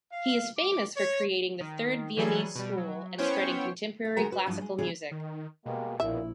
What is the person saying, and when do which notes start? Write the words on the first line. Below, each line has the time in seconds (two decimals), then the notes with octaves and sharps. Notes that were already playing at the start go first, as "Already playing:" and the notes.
He is famous for creating the "Third Viennese School" and spreading contemporary classical music.
0.12 F5
0.57 D6
0.96 C#5
1.61 D#3
2.17 D3 E3 F#3 G3 G#4 A4
2.55 B2 G3
2.78 F#3
3.18 B3 C#4 E4 C5 C#5 G5
4.05 F5
4.17 D2 G#3 F#4 A#4 F#5 A#5
4.32 F#4 B4
4.46 G2 F3 E4 F#4
4.61 G#3
4.78 E2 C#3 E3 G#4 D5
5.11 D#3
5.66 B2 G3 G#3 A#3
6.00 A#1 A#2 E4 E5